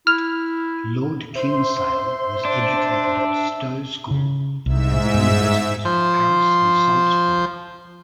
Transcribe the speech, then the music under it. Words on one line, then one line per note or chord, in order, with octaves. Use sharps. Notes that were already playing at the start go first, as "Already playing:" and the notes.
Lord Kingsale was educated at Stowe School, and the Universities of Paris and Salzburg.
E4 F6
C5 E5 C6
D4
C#3
C2 G#2 E5 E6
G2
F3 C5